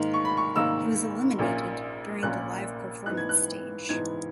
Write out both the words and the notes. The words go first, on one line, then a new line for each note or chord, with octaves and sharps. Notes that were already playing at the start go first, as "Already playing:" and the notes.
He was eliminated during the live performance stage.
Already playing: G#2 D#3 A#3
C#6
B5
C#6
G#2 D#3 A#3 E6
A#1 A#2 A#3 C#4
A#1 A#2 A#3 C#4 F#6
G#2 E3 B3 F#6
G#6
F#6
G#2 E3 B3 G#6